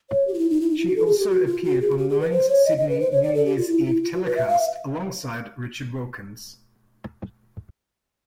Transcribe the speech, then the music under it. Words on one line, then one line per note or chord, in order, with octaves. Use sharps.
She also appeared on Nine's Sydney New Year's Eve telecast alongside Richard Wilkins.
C#5
G4
F4
E4
D#4
E4
D#4
E4
F#4
A4
G#4
G4
F#4
F4
F#4
G#4
G4
G#4
B4
C5
C#5
D#5
D#5
B4
C5
C#5
D5
A4
G4
F4
E4
E4
F4
F#4
B4
E5
F5
E5